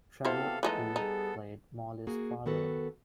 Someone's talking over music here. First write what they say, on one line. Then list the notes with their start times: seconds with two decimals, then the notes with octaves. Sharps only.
Trevor Eve played Molly's father.
0.25 C3 B3 E4 F#4 G4 A4 C5 F5
0.63 A2 E3 F3 G#3 B3 D#4 A4
0.96 G3 D#4 G#4
2.07 A#3 F#4 G#4
2.46 D#3 B3 F#4 A4 B4